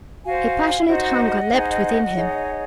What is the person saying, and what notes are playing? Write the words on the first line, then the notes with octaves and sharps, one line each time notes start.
A passionate hunger leapt within him.
F#4 C5 F5 G#5
D#4 F#4 C5 D#5 F#5
D#4 G#4 C5
D#4 G#4 C#5